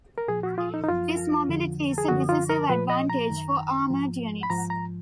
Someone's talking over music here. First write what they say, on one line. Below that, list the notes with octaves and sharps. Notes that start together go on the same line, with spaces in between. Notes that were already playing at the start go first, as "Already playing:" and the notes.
This mobility is a decisive advantage for armored units.
A#4
A#2 F3 G#4
F#4
F4
D#4
D#4
F#2 F3 F4
F2 D3 F3
G#4
F#2 D3 F3 F#4
F4
A#4
A#2 F3 B4
D#5
A#5
F#2 D#3
G#2 F3
B5
G#2 F3 A#5
A#5